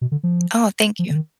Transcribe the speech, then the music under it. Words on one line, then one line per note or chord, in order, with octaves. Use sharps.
Oh, thank you.
B2
D3
F3
F3
D3
D#3